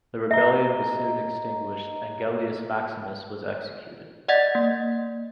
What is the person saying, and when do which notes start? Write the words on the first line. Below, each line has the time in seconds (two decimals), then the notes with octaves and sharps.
The rebellion was soon extinguished, and Gellius Maximus was executed.
0.31 D#5 E5 A#5
4.28 D5 D#5 F#5 G#6 A6
4.55 A#3